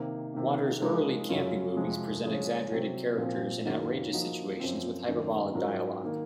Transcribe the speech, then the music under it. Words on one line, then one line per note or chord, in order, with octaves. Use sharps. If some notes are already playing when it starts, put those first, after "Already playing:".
Waters' early campy movies present exaggerated characters in outrageous situations with hyperbolic dialogue.
Already playing: C3 D#3 A#3
C3 D#3 A#3
F3 G#3 D#4 A#4
F#2 C#3 F#3 C#4 F4
F2 C3 F3 G#3
C#3 F3 G#3 C#4 G#4
C3 F#3 C4
A#2 F3 C4
F#2 D#3 F#3 A#3 C#4
F3 A#3 D#4 F#4
F#2 F3 C4
F#2 D#3 A#3
G#2 F#3 C#4 F4 A#4
D#3 A#3